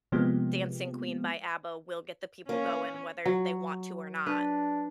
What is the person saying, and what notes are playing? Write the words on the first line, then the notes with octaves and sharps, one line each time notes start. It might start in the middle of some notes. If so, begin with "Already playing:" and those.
"Dancing Queen" by ABBA will get the people going whether they want to or not.
C3 F3 G#3 A#3 B3 G4
A#3 C#4
F#3
D4 B4